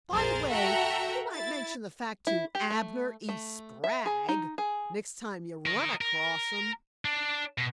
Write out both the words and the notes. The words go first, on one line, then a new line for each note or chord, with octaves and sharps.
"By the way, you might mention the fact to Abner E. Spragg next time you run across him."
A#1 F2 G#4 A#4 C5 A6
F#4 A4 E5 F#5 G5 A#5
E4 A6
E4
G4
A3
A3
E5
G#4
D#4
G#4
A#4 D#5
A#4
D4
B2